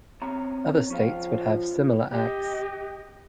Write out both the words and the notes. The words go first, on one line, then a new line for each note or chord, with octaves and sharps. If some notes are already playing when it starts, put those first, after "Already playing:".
Other states would have similar Acts.
C4 C#4 A#5
F3 C#4 F4 F5
G4 D#5